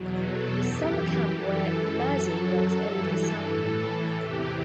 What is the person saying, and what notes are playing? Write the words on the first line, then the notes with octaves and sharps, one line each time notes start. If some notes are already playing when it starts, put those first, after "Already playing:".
The summer camp where Maddie works over the summer.
Already playing: E2 B2 F#3
A4
F#2 E3 G4
F#2 E3 A4
F#2 F#3
G2 E3
A2 E3
E2 C3 E3 G4